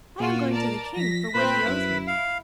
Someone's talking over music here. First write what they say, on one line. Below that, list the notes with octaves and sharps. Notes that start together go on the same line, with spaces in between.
'I am going to the King for what he owes me.'
A#2 F4 F#4
A#4 D5 A5
F3 A#6 B6
A#2 C4 B4 C5 B5
F#2 E4
F5